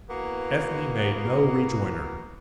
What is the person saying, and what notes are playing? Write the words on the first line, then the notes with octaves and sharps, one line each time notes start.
Ethne made no rejoinder.
E3 A#3 B3 F#4